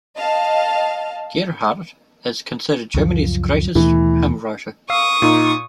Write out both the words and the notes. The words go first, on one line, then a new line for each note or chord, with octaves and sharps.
Gerhardt is considered Germany's greatest hymn writer.
D#5 F5 A5
C#2 F#2 F3
D#2 B2 E3 A3
F5 C#6 D#6 E6 C7
A#2 D#4 F4